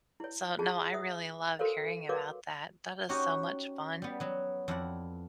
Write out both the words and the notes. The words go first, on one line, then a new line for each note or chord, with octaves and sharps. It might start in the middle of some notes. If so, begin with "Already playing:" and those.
So, no, I really love hearing about that. That is so much fun.
E4 C#5
F4 G#4 A5
E5 D#6
F#4 A4 A#4 C5 C#5 F5
F#4 A#4 B4 C#5 F5 D6
C#4 D#4 F#4 G4
G3 B3
F#3 B3
F2 E4 D5 F#5